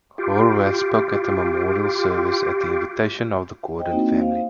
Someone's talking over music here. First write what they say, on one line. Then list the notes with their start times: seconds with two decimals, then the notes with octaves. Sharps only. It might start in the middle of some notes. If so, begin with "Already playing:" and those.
Horwath spoke at the memorial service at the invitation of the Gordon family.
0.18 F4 G4
3.78 C5 D#5 G5
3.91 A#3 C4 D#4 E4 F#4
4.19 C5 F5